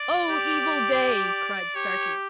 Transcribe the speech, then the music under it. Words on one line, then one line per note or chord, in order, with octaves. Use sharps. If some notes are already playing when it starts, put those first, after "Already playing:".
"O evil day!" cried Starkey.
Already playing: D5
G4
G4 C#5